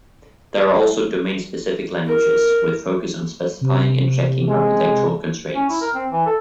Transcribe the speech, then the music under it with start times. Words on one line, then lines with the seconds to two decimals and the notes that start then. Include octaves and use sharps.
There are also domain-specific languages with focus on specifying and checking architectural constraints.
2.07 A#4
3.61 C3
4.47 G#3
5.55 C#4
5.70 E4
5.81 A#4
5.94 C4
6.11 E3
6.26 A4